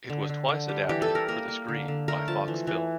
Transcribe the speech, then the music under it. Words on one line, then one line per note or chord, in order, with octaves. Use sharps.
It was twice adapted for the screen by Fox Film.
D3
D3
D3
G3
E3 G4
A4
E3
A#4
A#3 A#4
A#3
D3
D3
A3 A#4
F3 A5
E3
E3